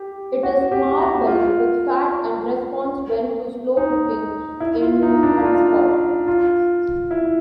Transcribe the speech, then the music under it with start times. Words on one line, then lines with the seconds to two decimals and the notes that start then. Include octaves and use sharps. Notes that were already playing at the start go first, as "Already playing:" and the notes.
It is marbled with fat and responds well to slow cooking in "hutspot".
Already playing: G4
0.43 F#4
0.72 G4
0.99 F#4
1.27 F4
3.77 D#4
4.60 E4
4.81 F4
5.03 D#4
5.23 D4
5.44 F4
6.27 F4
7.11 E4